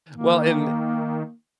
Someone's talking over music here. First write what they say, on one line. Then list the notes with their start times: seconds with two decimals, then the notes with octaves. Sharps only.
Well, and
0.12 D#3 A#3